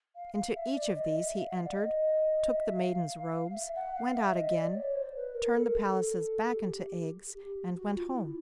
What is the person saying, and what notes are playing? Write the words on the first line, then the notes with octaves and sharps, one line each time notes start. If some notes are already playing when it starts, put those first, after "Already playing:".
Into each of these he entered, took the maidens' robes, went out again, turned the palaces back into eggs, and went home.
F5
F5
E5
D5
D#5
E5
F5
F#5
F5
D5
D#5
E5
F5
F5
F5
F5
F5
E5
F#5
F5
E5
D#5
D5
C#5
C5
B4
A#4
A4
A#4
A4
G4
G4
F#4
F4
E4